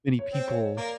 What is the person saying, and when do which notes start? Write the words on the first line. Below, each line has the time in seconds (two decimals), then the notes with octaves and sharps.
many people
0.19 C#5
0.33 C4
0.48 C#5
0.77 A#3 D5